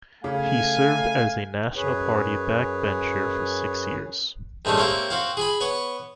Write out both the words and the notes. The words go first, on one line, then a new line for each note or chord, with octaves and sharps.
He served as a National Party backbencher for six years.
C#3 A3 F5 G#5
F#2 G#4 B4 C#5
G2 G#3 A3 C4 C#4
A#3 C4 G4 C#5 E5
C4 F#4 F5
G#4 G#5 B5
B3 C#5 C#6